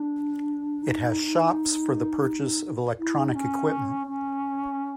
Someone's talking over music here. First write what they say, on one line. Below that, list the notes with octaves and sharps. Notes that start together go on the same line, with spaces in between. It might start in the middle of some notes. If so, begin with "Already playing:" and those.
It has shops for the purchase of electronic equipment.
Already playing: D4
D#4
E4
D#4
C#4
C#4